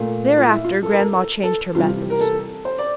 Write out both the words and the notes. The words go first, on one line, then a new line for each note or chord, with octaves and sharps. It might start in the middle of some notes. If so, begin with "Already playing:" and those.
Thereafter grandma changed her methods.
Already playing: A#2 A3
F4
E4
F4
A4
A#4
A4
A4
A4
C3 E3 G3 F4
A#4
A4
C5
D5